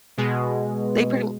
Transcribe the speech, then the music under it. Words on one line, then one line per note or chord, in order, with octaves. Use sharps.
they pretty m
B2 G#3